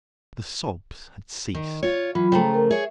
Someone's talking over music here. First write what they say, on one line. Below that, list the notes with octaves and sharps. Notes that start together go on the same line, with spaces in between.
The sobs had ceased.
D#3
F4 C#5
E3 F#3 F4 B5
C#3 F3 A3 G5 A#5
A#4
G#4 C#5 E5